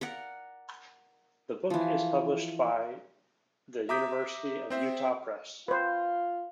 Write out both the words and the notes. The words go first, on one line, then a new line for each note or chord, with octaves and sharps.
The book is published by the University of Utah Press.
A#4 D5 F#5
E3 F3
E5 A#5 D6 D#6 G6 B6
C4 C5 E5
F4 B4 C5